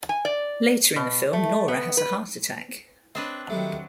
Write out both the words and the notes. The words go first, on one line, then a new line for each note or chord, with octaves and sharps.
Later in the film, Nora has a heart attack.
G#5
D5
B2
A3
B3
B4
C4 D4 B4 C#5 D#5
D#3 F#3 G3 A3